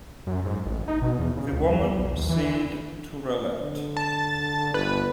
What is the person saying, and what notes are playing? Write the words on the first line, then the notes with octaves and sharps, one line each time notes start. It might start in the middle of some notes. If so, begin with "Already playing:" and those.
The woman seemed to relent.
F#2
G#2
A1
D#4
B2
E2
C#3
C#2
E2
B1
D#2
E3
D3
A5
G1 B4